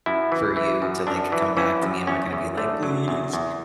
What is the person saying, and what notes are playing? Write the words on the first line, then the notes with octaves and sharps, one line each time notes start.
for you to, like, come back to me. I'm not gonna be like, 'please.'"
F#2 E4
E3
E3
F#2
F#2 D4
E3
E3 C#4
F#2
E2 C#4
E2
D3 A3
F#3
E2
E2